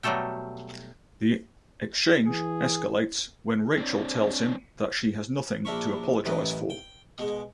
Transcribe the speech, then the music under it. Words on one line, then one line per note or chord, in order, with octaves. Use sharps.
The exchange escalates when Rachel tells him that she has nothing to apologize for.
B2 F#3 G3 A3 A4 G5
E3 G#4
C4 D4
A#1 D4 E4 A#4 B5 C#6
A1 F#2 E3 D#4 B4
G5
B2 G#3